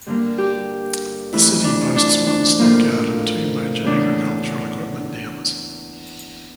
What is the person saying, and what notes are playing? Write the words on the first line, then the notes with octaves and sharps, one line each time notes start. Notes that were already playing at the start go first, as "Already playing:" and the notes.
The city boasts one stockyard and two major agricultural equipment dealers.
G2 D3 G3 A#3
G4
F2 E3 A3 E4
D4
D4
D4
A2 F3 A#3
E2 C#3 E3 A3 D4